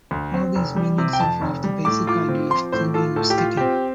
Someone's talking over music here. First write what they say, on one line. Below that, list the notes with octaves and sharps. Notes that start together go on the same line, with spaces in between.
All these meanings involve the basic idea of clinging or sticking.
D2
C4
F1
G3
C3
G5
F2 A5
F1
G3
A2 D6
F4 D6
C4
F3 C6
A2 C5
F4 A4
A2 A4
G4
F4
C4 G4